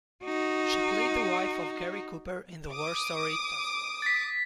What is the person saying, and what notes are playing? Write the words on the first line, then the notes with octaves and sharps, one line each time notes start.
She played the wife of Gary Cooper in the war story "Task Force".
D#4 F#4
D6 D#6
A6 B6